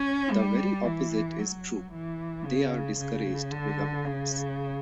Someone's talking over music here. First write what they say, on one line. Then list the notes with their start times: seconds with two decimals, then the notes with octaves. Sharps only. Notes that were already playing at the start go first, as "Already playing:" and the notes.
The very opposite is true; they are discouraged vagabonds.
Already playing: C#4
0.31 G3
0.85 E3
1.39 F#3
1.92 E3
2.45 C#3
2.99 C#3
3.51 D3
4.05 C#3